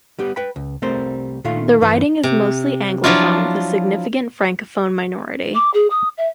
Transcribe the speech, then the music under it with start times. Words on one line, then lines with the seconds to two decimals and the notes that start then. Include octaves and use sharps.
The riding is mostly anglophone with a significant francophone minority.
0.19 G3 B3 G4
0.36 B4 G5 B5
0.56 C#2
0.82 C2 G3 A3 C4 A#4 C5
1.45 A#2 D#3 A3 F4 F5
1.81 G2 E3 B4 C5
2.23 C3
3.04 F3 F#3 D4 E4 F4
5.54 D6
5.73 G#4
5.90 D#6
6.17 E5